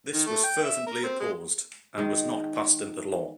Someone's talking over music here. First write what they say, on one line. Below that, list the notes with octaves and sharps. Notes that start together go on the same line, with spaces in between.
This was fervently opposed, and was not passed into law.
D#3
A3
G5
E5
A#4
C4
G#3
D#3 G#3